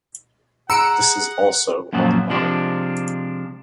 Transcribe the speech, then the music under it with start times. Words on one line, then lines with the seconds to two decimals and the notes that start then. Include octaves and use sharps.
This is also online.
0.70 G#4 F#5 A#5 E6 C#7 D7
1.93 F#2 A#2 F3 F#3
2.30 C3 F3 G#3 D4